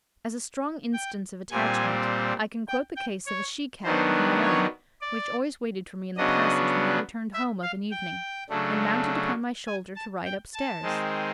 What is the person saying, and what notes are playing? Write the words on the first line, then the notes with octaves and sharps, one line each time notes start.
As a strong instance of attachment, I can quote the case of a she Cat of my own, which always waited for me in the passage when I returned home of an evening, and mounted upon my shoulder to ride upstairs.
G5
A#2 G3 C4 G#5
G5
G5
C#5
D#3 F#3 B3 D4 C5
C#5
D5
C#3 F#3 B3 D4 D#5
E5
F5
G5
C#3 F#3 A3 D4
G#5
A5
G5
A5
D#3 G#3 C4